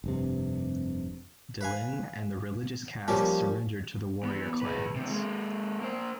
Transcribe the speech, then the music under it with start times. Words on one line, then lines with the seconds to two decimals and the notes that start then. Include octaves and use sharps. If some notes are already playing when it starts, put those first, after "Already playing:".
Delenn and the religious caste surrendered to the warrior clans.
0.04 F1 G2 C3
1.61 B4 F5 G#5
3.08 F3 G3 A#3 C#4 G4
4.23 E2 B3
4.62 G#4 B4
4.96 E2 C3
5.10 G#3 A#3
5.82 A#3 C5